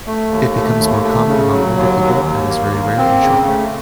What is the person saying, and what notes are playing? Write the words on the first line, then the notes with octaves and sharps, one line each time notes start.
It becomes more common among older people and is very rare in children.
A3
D#2
A3
D#2
A3
C#3
F#3
D#2
D#2
D#2
A#3
A#3
C4
C#3
A3